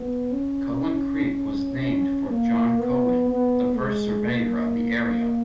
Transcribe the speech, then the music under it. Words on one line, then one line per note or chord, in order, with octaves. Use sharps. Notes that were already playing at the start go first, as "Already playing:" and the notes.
Cowan Creek was named for John Cowan, the first surveyor of the area.
Already playing: B3
C#4
C#4
A#3
B3
B3
G#3
A#3